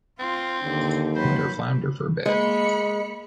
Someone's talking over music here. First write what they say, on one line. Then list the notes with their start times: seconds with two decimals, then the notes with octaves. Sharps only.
Let her flounder for a bit.
0.19 C4 F4
0.65 D#2 D3
1.16 F#3 B4 C5
2.26 G#3 A#3 B5 C#7